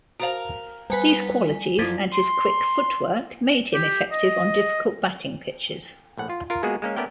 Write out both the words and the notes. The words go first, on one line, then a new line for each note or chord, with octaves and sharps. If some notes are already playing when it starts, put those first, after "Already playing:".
These qualities, and his quick footwork, made him effective on difficult batting pitches.
F#4 A#4 C5 F5 A5
G3 B3 B4 G#5 B6
F#2 F3 F#3 E4 F4 G#6 A6 B6
C6
G4
D#5
A#1 A2 F#5
F4
F4 A#4
G#3 A#3 B3 F#4 G#4
G#3 A#3 C#4
A3 B3 C#4 A#4 D5 G5